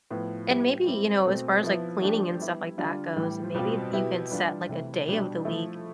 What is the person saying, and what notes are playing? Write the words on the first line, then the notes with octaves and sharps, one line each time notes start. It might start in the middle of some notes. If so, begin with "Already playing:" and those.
And maybe, you know, as far as, like, cleaning and stuff like that goes, maybe you can set, like, a day of the week.
A2 F3 B3
G3 B3 E4 G4
G3 C4 E4
B2 A3 C4
F3 B3 E4
F3 A3 D4 G4
G3 B3 E4
D3 G3 D4 F4
A2 E3 G3
B2 G3 C4 F4
B2 B3 E4 G4
E3 G3 D4 F4
C3 E3 A3 E4
B2 G3 D4
F3 A3 E4